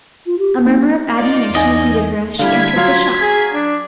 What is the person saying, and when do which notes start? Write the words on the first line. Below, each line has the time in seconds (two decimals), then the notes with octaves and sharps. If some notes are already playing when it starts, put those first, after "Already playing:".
A murmur of admiration greeted her as she entered the shop.
0.26 F4
0.39 G4
0.65 A#3 D#4
1.14 D#4 F4 D5
1.55 E2 D#4 D#5 G#5
2.39 D3 G3 E4 F5 G#6 B6
2.76 F#3 F4 F5
3.22 G#4
3.54 D4